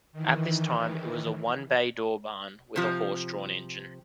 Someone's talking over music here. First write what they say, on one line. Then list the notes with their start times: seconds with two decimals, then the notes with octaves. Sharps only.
At this time it was a one-bay-door barn with a horse-drawn engine.
0.12 D#3 E3
2.76 C3 F3